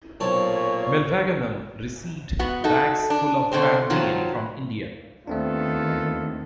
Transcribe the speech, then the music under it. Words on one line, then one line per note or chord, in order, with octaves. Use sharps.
Mylvaganam received bags full of fan mail from India.
B1 A#2 C4 C#5 A5 C#6
B3 F#4
D#4 F#4 A4
D4
B2 D3 C4 C5
D#3 F3 F#3
D#2 D#3 A3 B3 C4 D4 F4 A4